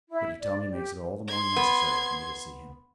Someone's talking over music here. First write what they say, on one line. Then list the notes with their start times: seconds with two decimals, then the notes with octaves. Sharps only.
What you tell me makes it all the more necessary for me to see him.
0.11 E4
0.40 D5
0.72 G4
1.28 C6 G#6
1.56 B3